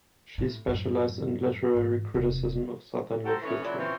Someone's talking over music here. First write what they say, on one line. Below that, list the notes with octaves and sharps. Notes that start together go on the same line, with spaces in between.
She specialized in literary criticism of Southern literature.
A2
F#2 A2
G#2 E3
E1 C3
F#4 G4 A4 A#4 C5
E3 A3 B3 C#4
A#2 C#3 F#3 D4 E4
E3 F3 C4 C#4